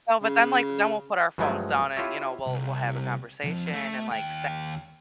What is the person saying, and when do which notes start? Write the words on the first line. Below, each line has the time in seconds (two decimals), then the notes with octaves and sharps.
So, but then, like then we'll put our phones down and, you know, we'll we'll have a conversation, and, like, se
0.22 C#3
1.38 G2 F3 F#3 G#3 A3
1.97 E4 F4 G4 A4 C#5 E5
2.47 C2
3.44 C2 F2
3.73 A3
4.12 D#2 G5